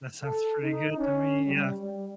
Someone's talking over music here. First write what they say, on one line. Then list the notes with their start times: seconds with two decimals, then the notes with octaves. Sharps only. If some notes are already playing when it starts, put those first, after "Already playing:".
that sounds pretty good to me, yeah.
0.23 A4
0.63 D#4
0.98 C#4
1.46 G3
1.80 G3